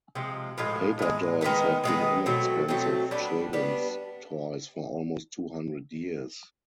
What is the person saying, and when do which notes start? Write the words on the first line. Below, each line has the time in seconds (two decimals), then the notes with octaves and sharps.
Paper dolls have been inexpensive children's toys for almost two hundred years.
0.15 C3 F3 G#3
0.58 A2 F3 G#3
0.99 A2 F3 G#3
1.41 D#3 G#3 B3 D#4
1.84 D#3 G#3 B3 D#4
2.26 B2 F#3 A3 C4
2.68 B2 F#3 A3 C4
3.11 G3 B3 D4
3.53 G3 B3 D4